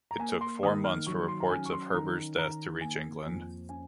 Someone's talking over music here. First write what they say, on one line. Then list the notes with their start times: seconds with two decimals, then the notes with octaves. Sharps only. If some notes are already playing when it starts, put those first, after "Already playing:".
It took four months for reports of Heber's death to reach England.
0.11 A#5
0.19 A#3 G#5
0.41 C6
0.63 D#3 D#6
0.84 F6
1.07 F#3 C#6
1.28 C6
1.40 A#5
1.50 C#4 G#5
1.65 C#6
1.73 C6
1.94 D#3 A#5
2.38 D#3 A#5
2.81 A#3 G#5
3.26 F2
3.69 C#4 G#5